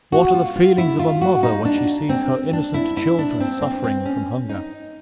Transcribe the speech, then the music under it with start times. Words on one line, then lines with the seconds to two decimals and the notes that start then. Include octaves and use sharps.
What are the feelings of a mother when she sees her innocent children suffering from hunger!
0.12 F#4
0.34 F4
0.56 F4
0.78 E4
0.99 F4
1.21 F#4
1.43 D#4
1.65 D4
2.09 C4
2.53 D4
2.74 E4
2.97 E4
3.19 D4
3.40 C4
3.62 C4
3.84 C4
4.05 C#4
4.49 D#4